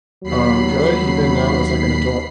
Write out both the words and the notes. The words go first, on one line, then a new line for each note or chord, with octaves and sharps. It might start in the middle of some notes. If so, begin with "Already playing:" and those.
um, good even now as, like, an adult."
D#2 F#3 B5 C7